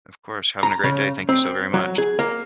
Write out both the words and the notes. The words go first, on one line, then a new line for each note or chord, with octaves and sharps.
Of course having a great day thank you so very much.
A#5
C#3
C4
F#3
G#4
A#3